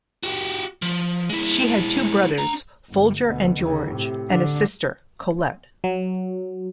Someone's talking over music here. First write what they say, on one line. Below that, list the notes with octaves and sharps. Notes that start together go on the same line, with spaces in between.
She had two brothers, Folger and George, and a sister, Collette.
F#4 G4
F3
G#3 E4
D4 A#5
G1
D2 B2
D#2 C#3
A2 C3
D3 D4
F#3